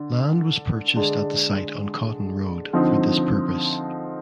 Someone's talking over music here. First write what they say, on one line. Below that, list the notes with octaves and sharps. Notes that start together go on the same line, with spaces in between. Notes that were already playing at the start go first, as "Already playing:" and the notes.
Land was purchased at the site on Coton Road for this purpose.
Already playing: D3 D4
D3 G#3 D4
D3 F3 C4 D#4